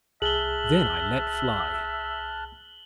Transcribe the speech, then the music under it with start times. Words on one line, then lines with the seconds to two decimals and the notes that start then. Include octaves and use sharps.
Then I let fly....
0.22 C2 G#4 E5 A5 F6 F#6 F#7 G7